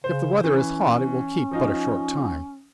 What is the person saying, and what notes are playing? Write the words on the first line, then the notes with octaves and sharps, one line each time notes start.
If the weather is hot, it will keep but a short time.
C#3 C5
E3 C#4
F3 D#4 F4